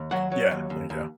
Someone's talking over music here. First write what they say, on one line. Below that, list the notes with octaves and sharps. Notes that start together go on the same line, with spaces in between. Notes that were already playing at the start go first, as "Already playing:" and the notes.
Yeah. There you go.
Already playing: D#2
F#3 F#5
F#3
D#2
D#2
D#2